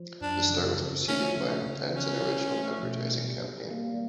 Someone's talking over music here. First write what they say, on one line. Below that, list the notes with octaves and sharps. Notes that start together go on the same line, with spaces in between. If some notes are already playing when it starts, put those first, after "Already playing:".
The start was preceded by an intense and original advertising campaign.
Already playing: F3
F#2 D4
C#3
F3
A3 C#4
C#3
C#3
F3 C#4
F3
A3
B2
G3
G3
A#3